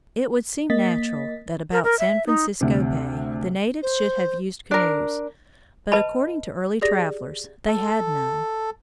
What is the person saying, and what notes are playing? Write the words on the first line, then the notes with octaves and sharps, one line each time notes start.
It would seem natural that about San Francisco Bay the natives should have used canoes, but, according to early travellers, they had none.
A#3 D#5 A6 B6
A#4
A#4
E5
D#4
D2 C3
C5
D4 A#4
B4 D#5 A5 B5
G4 G#4 D5 A#6
A4